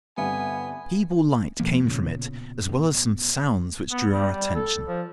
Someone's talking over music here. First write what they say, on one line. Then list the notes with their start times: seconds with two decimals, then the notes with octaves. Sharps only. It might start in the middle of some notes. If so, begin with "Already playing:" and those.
A feeble light came from it as well as some sounds which drew our attention.
0.18 C2 G2 D3 B3 F5 G#5
1.60 F1 B2 F3 A#3
1.84 A#2 C#3
2.69 A1 B3
3.91 B3
4.09 G3
4.31 G3
4.55 A4
4.87 F3